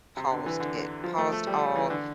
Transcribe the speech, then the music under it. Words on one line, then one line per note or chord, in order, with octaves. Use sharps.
paused it paused all
C3
D3
E3
D3
F3
A3
A3
G3
E3
D3